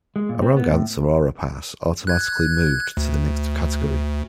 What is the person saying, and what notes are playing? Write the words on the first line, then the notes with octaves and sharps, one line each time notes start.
A wrong answer or a pass automatically moved to the next category.
G#3
A#2
C4
B3
A2
F#6 G#6
D2